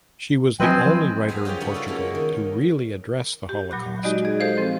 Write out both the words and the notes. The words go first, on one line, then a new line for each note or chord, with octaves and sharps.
She was the only writer in Portugal to really address the Holocaust.
F3 F#3 C4 B4 D#5 G#5
B3 G#4 B4 C5 G#5 A#5
C#4 F4 G4 G#4 G5
C#3 G3 A3 D#4 G#4 G#5
F4 F#4 A4
G#3 A#3 C#4
D#3
G4
A#2 F#3 B5 F#6
G#3 D#4 F#4 G4 D5 D#5
G#4 D5
G#3 G4 A4 C5 F5
F3 C4